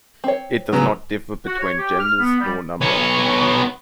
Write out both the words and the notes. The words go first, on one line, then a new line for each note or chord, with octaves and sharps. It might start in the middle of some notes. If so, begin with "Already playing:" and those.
It does not differ between genders nor number.
C4 C#5
C#3 F#3 B3
F#4
C#5
G4
F6
B3
G3
B3 C#5